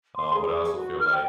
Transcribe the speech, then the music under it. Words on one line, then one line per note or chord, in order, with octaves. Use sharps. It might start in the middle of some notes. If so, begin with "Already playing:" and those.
Um, but I also feel like
C6
G#4
F#4
F6
G5